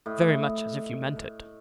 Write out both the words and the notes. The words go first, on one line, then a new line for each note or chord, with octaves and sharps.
"Very much as if you meant it."
A2 D#5